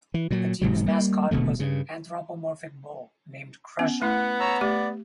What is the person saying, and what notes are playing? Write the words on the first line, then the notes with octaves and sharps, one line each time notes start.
The team's mascot was an anthropomorphic bull named Crusher.
E3
A#2 F#3
E1 G#2 C3 F#3
G3 A#3
D#1 B2 D3 A3
G2 C#3
B3 C#4
A3 B3 E4 F#5
C#5 A#5 E6
A3 G4 D5